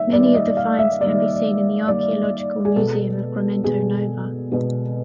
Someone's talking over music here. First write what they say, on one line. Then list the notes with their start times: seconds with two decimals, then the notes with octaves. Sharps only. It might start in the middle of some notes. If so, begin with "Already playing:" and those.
Many of the finds can be seen in the Archaeological Museum of Grumento Nova.
Already playing: D#3 G3 A#3 E5
0.13 D#3 G3 A#3 D5
0.35 D#5
0.57 F5
0.79 E5
1.00 D#3 G3 A#3 D5
1.88 D#3 G3 A#3 D5
2.65 G#4
2.76 B2 G#3 B3 A4
3.63 B2 G#3 B3 G#4
4.52 B2 G#3 B3